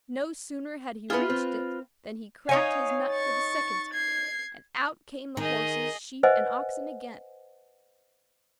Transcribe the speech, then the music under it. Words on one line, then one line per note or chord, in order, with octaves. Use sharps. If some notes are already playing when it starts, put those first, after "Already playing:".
No sooner had he reached it than he cracked his nut for the second time, and out came the horses, sheep, and oxen again.
B3 E4 F4 G#4 B4
C4
D#4 C#5 F5 G#5
C#6 A6
G#6 C7
D#3 G#4 D#5
B4 C5 D#5 E5 F#5 G#5